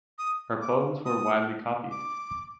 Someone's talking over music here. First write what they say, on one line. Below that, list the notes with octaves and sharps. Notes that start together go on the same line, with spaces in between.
Her poems were widely copied.
D#6
D6
D#6
D6